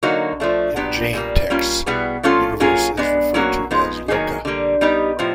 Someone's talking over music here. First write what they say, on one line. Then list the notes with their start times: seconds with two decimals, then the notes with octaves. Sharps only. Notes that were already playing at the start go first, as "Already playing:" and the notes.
In Jain texts, universe is referred to as Loka.
0.03 D3 F#3 A#3 D#4 F#4
0.40 F3 A3 D4
0.76 A#2 F#3 B3 D4 G4
1.13 A#2 G3 A#3
1.50 G3 A#3 C#4 F4
1.86 B2 G3 B3 E4 G#4
2.23 F3 A3 C#4 F4 A4
2.60 F#3 A#3 C#4 F4 G#4
2.97 G#3 B3 D4
3.34 F#3 A#3 C#4 F#4
3.71 F3 G#3 B3 D#4
4.08 D#3 F#3 A#3 D#4 G#4
4.45 D3 G3 A#3
4.81 G3 B3 D#4 G4
5.19 A2 F3